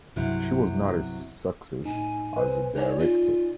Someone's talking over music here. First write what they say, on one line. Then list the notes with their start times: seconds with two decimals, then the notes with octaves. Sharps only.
She was not a success as a director.
0.16 C2 G2 C3 F#3 E4
1.85 A2 D#4 G#5
2.37 B4 C5
2.77 D#4 C#5 D5 G#5
2.99 F4